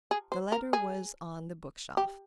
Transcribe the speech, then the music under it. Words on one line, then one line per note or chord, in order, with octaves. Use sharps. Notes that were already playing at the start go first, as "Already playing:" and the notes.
The letter was on the bookshelf.
G#4
C5
A#4
G#4
G4